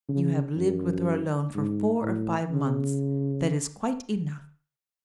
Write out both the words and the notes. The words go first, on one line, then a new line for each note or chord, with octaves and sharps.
You have lived with her alone for four or five months; that is quite enough.
C#3
F#2
G#2
A2
C#3